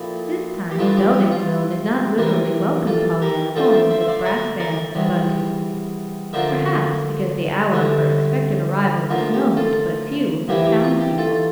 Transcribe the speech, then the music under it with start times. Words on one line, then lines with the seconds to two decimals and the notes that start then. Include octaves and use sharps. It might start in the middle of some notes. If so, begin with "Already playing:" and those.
This time Beldingsville did not literally welcome Pollyanna home with brass bands and bunting--perhaps because the hour of her expected arrival was known to but few of the townspeople.
Already playing: A#2 F3 C4 E4 A4
0.71 G4
0.79 G2 E3 G3 D4 F4 A4
0.97 G4
1.13 G4
1.31 F4
2.18 C3 E3 A#3 D4
2.87 F4 A4
3.22 G4 A#4
3.56 D3 A3 D4 F4 A4 C5
3.69 F5
3.74 C5 E5
3.91 C5 E5
4.01 E5
4.08 D5 F5
4.21 E5
4.25 A#4 D5
4.60 A#4 D5
4.95 E2 C3 G3
6.33 D3 F3 A#3 D4 F4 C5 E5
7.72 G2 D3 A3
9.10 D2 D3 F3 A#3 F4
9.34 G4
9.56 F4 A4
10.48 C3 E3 A#3 E4 G4
10.66 G4
10.83 F4
11.00 G4
11.18 F4 A4